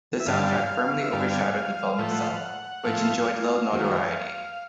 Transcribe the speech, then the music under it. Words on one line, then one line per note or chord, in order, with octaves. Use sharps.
The soundtrack firmly overshadowed the film itself, which enjoyed little notoriety.
E5
G2 D3 G3 F5
E5
G2 D3 G3 F5
F5
A2 F3 A3
F#5
F5
F#5
A2 F3 A3 F5
F#2 D#3 F#3 A#3